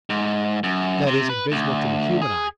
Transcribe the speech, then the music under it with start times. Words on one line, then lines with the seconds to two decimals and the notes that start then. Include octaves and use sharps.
That is, invisible to the human eye.
0.10 G#2
0.63 F#2
1.07 C3
1.29 B4
1.52 D2
2.22 G#4